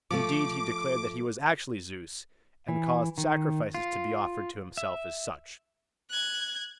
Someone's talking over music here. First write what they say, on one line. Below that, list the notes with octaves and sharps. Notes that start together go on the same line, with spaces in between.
Indeed he declared that he was actually Zeus, and caused sacrifices to be offered to himself as such.
F3 A3 D6
E3
D#3
F4
E5
F#6 G#6